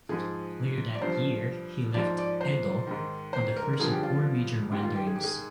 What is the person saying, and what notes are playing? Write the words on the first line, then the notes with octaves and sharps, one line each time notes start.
Later that year he left Edo on the first of four major wanderings.
G#2 F3 G#4
D5
G2 F3 C5
G#2 F3 D5
D5
C5
G#2 D#3
C5
A#4
A#4
G2 D3 F3 G#4
G4
F4
G#2 D#3 G4
F4
G4
G#4
G4
G#4